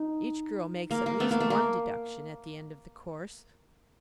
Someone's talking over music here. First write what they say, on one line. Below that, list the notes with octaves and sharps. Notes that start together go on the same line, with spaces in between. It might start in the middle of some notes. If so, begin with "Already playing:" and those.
Each girl makes at least one deduction at the end of the course.
Already playing: D#4
A#3
A#3
A3 B3
A#3
A3
A#3